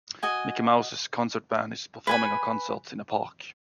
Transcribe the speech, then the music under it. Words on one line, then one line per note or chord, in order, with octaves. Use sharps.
Mickey Mouse's concert band is performing a concert in a park.
F#4 D#5 G#5
B4 G#5 B5